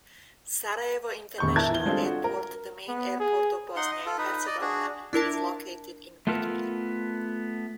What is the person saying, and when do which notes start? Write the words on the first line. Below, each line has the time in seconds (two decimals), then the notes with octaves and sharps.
Sarajevo International Airport, the main airport of Bosnia and Herzegovina is located in Butmir.
1.38 E1 C#6 G6
1.56 E4 A#4 A5 G#6
1.70 E3 G7
1.86 G3 G#3 C4 D4 F4 A4
2.05 F#4
2.24 A#4
2.88 B3
3.20 G#4
3.76 D#4 F#5 C6
3.91 D#5
4.06 F4 A4
4.18 D#4 B4
4.46 D5 D#5
4.61 D4 F#4 G#4
5.13 D4 E4 A#4 A5
6.27 A3 B3 F4 A4 A#4 F5